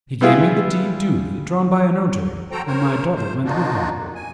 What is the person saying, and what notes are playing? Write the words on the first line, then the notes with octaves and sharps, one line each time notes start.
He gave me the deed duly drawn by a notary, and my daughter went with him.
G3 B3 E4 F4 G#4
F#4 A4 C5 G5 A#5
A#4 C5 C#5
C5
A#3 D4 D#4 F4 F#4
F2
G#5